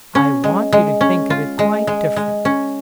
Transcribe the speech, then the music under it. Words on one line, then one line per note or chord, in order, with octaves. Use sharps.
I want you to think of it quite differently.
C#4
G#3
G#3
C#4
F4
G#3
G#3
G#3
C#4